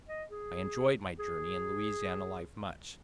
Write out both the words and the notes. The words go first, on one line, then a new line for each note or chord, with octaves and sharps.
I enjoy'd my journey and Louisiana life much.
D#5
G#4
G#4